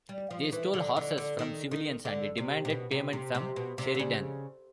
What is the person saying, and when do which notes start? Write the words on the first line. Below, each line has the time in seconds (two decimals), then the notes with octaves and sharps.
They stole horses from civilians and demanded payment from Sheridan.
0.09 G3
0.30 F3
0.53 E3
0.74 D3
0.96 D3
1.18 D3
1.39 D#3
1.71 D#3
2.05 D3
2.38 C3
2.65 C3
2.70 B2
2.91 C3
3.13 C3
3.35 C3
3.56 B2
3.78 C3
3.95 D3
3.99 C#3